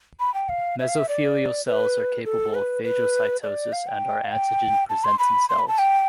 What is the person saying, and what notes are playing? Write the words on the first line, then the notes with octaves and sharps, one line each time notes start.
Mesothelial cells are capable of phagocytosis and are antigen presenting cells.
B5
G5
F5
E5
F5
E5
D5
B4
A4
B4
B4
D5
F5
G5
F5
G5
A5
C6
B5
C6
B5
A5
G5